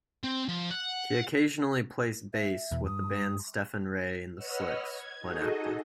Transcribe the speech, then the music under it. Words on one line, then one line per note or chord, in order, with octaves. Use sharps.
He occasionally plays bass with the band Stephen Rey and the Slicks, when active.
C4
F3
F#5
E5
E2 B2
G2 D#6
B4 C#5 D#5 F#5 E6 F6
G#6
D#4 F#4 G#4 A4 D#5